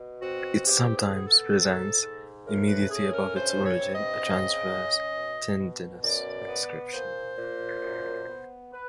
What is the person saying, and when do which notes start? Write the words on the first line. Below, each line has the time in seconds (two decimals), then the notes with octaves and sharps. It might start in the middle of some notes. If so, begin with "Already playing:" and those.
It sometimes presents, immediately above its origin, a transverse tendinous inscription.
Already playing: B2
0.20 C4 F#4
0.65 E2 G4
0.96 G#4
1.10 B3 G#4
1.25 A4
1.55 G#2
2.00 G#2
2.45 A2 A#4
2.67 B4
2.89 C#4 G#4
3.11 A#4
3.34 G2 C5
3.64 C#5
3.78 C4
3.94 D#5
4.24 C#3
4.68 C#4
5.14 B2
5.58 B2
6.02 F#2 D5
6.47 B3
6.93 A#2 C5
7.37 A#2
7.82 F#2
8.27 B3
8.72 B4